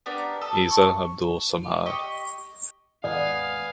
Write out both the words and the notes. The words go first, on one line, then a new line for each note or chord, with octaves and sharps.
Isa Abdul Samad.
B3 D4 G4 A#4
A4 D#6
C#6
G4 D#5 C#6
D#2 G#2 D#3 B3 D5 F5 G#5 D#6